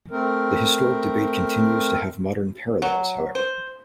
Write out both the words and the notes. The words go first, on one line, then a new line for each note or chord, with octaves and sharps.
The historic debate continues to have modern parallels, however.
A3 C4 A#4
F#3
C5